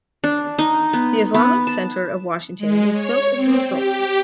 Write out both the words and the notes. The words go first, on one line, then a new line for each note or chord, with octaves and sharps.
The Islamic Center of Washington was built as a result.
D4
D#4
B3
B3
A5
G#3
C#5
C4
G4